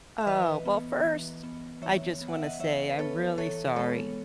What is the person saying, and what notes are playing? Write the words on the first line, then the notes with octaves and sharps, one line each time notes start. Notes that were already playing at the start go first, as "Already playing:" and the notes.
Oh. Well, first, I just wanna say I'm really sorry.
E5
E3 B4 D#5
B3
E3
B3
E3 C#5 E5
B3
F#5
E5
D#5 F#5
E3 C#5 E5
B4
B3 A4 C#5
E3 A4 C#5
G#3 B3 A4 C#5